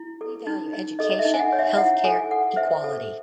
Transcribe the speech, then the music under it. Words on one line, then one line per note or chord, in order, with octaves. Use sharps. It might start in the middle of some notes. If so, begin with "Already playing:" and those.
We value education, health care, equality.
Already playing: E4
A4
D#4
D#4
A4 D#5
D#5
E5
D#4
G#5
F#5
C#5
E5
E4 F#5
A4 G#5
A4 F#5
C5 E5
A4